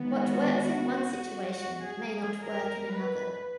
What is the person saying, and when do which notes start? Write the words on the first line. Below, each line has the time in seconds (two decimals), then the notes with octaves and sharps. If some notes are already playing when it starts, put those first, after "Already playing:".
What works in one situation may not work in another.
Already playing: D#2 D#3 G#3 B3
0.11 F#4
1.51 F#4
1.83 G#4
2.15 G#4
2.45 A#4
2.93 B4